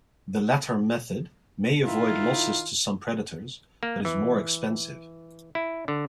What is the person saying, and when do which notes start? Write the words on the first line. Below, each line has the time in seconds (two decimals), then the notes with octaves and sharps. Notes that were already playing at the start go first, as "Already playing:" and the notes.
The latter method may avoid losses to some predators, but is more expensive.
1.85 D#3 E4 F4
3.83 A#3
4.05 E3
5.55 E4
5.88 D3